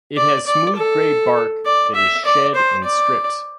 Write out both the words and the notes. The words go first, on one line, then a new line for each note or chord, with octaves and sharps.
It has smooth grey bark that is shed in strips.
D5
D5
A4
D5
E5
D5
C5
D5